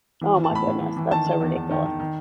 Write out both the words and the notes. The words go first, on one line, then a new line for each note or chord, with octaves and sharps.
Oh my goodness. That's so ridiculous.
E3
E3
A5
A2 B5
A2
E3
E3
D#3 A5
D#3
E2
E2
D#3
D#3
D#3